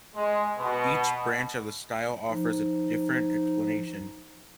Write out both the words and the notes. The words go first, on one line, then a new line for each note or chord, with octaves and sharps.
Each branch of the style offers a different explanation.
G#3
B2
F3 D#4